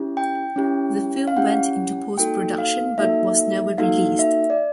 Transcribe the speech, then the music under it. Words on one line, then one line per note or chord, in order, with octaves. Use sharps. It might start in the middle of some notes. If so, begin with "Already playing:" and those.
The film went into post-production but was never released.
Already playing: C#4 E4 G4
G5
C#4 E4 G4
F5
C#4 E4 G4 F#5
A#3 D#4 F#4 A4 G5
F5
A#3 D#4 F#4 A4 E5
A#3 D#4 F#4 A4 F5
E5
D5